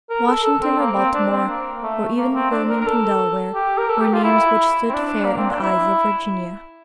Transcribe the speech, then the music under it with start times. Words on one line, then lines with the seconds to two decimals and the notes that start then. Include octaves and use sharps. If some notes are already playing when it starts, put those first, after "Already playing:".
Washington or Baltimore, or even Wilmington, Del., were names which stood fair in the eyes of Virginia.
0.10 A#4
0.27 A4
0.44 A4
0.63 C4
0.79 A#3
0.96 C4
1.14 D4
1.31 C4
1.48 A#3
1.83 A3
2.17 A#3
2.35 C4
2.51 D4
2.69 A#4
2.81 A#4
2.87 A4
3.55 G4
3.77 A#4
3.89 A4
4.01 G4
4.13 F4
4.24 E4
4.89 C4
4.93 D4
5.25 A#3
5.37 C4
5.50 D4
5.61 E4